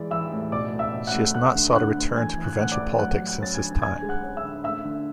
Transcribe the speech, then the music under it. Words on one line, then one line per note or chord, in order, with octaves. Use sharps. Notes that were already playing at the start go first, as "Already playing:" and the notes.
She has not sought a return to provincial politics since this time.
Already playing: E3 G#3 D5
E3 E5 E6
A2
B2 D5 D6
A3
E5 E6
B2
F#5 F#6
A3
A3 F#5 F#6
D3
D3 F#5 F#6
A3
E3 G#5 G#6
E3
F#6
G#6
A2 F#5 F#6
D5 D6
A3
F#3 F#5 F#6
F#3
F#5 F#6
C#4 A6
G#5 G#6
D3
D3 G#5 G#6
G#3
F#5 F#6
C#4
E5 E6
D3
A3 E5 E6
D3